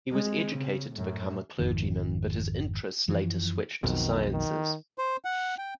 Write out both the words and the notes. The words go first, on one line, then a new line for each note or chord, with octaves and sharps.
He was educated to become a clergyman, but his interests later switched to sciences.
G#3 C4
C#3
F#2 A2
G#1 F2 D#3
F#2 E3 F3
B1 F2 B2 D#3
D#3
C5
F#5
G5